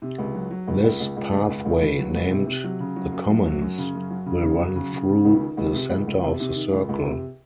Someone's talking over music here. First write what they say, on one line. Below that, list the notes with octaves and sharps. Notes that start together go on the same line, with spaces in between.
This pathway, named the Commons, will run through the centre of the circle.
C3
C#2
F#3
F#3
C#2
C#2
C#2
C#2
C#2
C#2
C#2
C#2
F#3
C#2
C3
C3
F#3
C#3
F#3
F#2
F#2
F#3
F#2
C#3
F#2
F#3
C#3
C#3
F#3
C#3
C#3
C#3
C#2
D#3
C#2
C3
C#2
C#2
C3
C3
D#3
C#2
C#2
C3